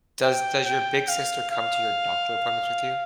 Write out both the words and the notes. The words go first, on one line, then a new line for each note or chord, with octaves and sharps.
Does does your big sister come to your doctor appointments with you?
G5
G5
F5
F5